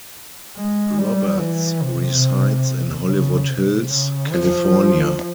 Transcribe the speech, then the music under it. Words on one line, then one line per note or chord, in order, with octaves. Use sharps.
Roberts resides in Hollywood Hills, California.
G#3
G3
E3
C3
C#3
C3
C#3
F3